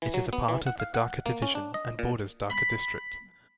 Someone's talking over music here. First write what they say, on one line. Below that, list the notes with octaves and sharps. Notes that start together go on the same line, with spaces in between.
It is a part of the Dhaka Division and borders Dhaka District.
E3
F#3
B3
E3
F#5
F5
F#5
A#3
C#4
D4
D#5
A#2
B5